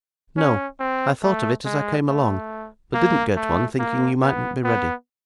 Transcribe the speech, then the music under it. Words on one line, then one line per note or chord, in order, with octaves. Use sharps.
'No; I thought of it as I came along; but didn't get one, thinking you mightn't be ready.
C#4
C4
A3
G#3
A3
A#3
A3
A#3
B3
B3